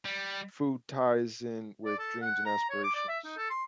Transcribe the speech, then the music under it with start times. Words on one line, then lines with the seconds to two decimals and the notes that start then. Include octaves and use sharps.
food ties in with dreams and aspirations
0.06 G3
1.85 D5
1.99 A4
2.22 F#5
2.46 A#5
2.70 C#5
2.84 D6
2.95 D5
3.08 E5
3.25 D#4
3.38 A4
3.50 C6